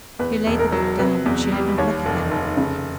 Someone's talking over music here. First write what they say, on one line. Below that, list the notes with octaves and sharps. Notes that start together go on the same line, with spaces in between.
She laid the book down, but she did not look at him.
E2 B4
E1
A#4
F#3
C3 B4
E2
G3
D#2 C#5
F1
F1
C#3